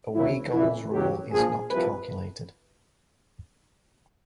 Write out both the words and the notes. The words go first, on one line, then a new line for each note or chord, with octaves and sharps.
Away goals rule is not calculated.
D2 C3 D#3 F#3 E4
F2 C#3 E3 E4
E2 C#3 F#3 G4
A#1 A#2 F3 G#4
C2 C3 F3 B4